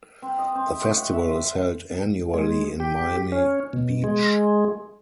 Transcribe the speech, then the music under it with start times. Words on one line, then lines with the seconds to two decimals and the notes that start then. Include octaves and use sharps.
The festival is held annually in Miami Beach.
0.22 C4
0.38 D#5
0.55 C4
0.67 E5
0.82 C#5
0.98 F#5
1.13 E5
1.29 C6
2.34 G#3
2.80 G4
3.32 C#4
3.73 B2
4.04 G#3